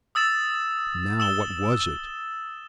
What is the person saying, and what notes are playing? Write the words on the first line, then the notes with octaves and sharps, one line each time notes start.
"Now, what was it?"
D#6 E6 A6 E7
E6 E7 G7